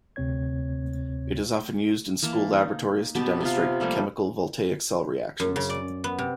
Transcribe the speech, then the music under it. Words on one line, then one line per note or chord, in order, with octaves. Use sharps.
It is often used in school laboratories to demonstrate chemical voltaic cell reactions.
D2 C3 C4 C#5 G#6
E3 A#3 A5
D#4
B2 B3 G4 A5
C3 B3 F4
F3 G3 A3 A#3
F#2
C#3
D5
B3
C3